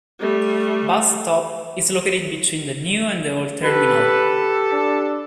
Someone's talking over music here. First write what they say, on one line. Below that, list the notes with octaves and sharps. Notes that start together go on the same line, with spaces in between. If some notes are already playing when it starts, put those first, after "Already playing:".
Bus stop is located between the new and the old terminal.
G3 A3
G4 A4 B4
D4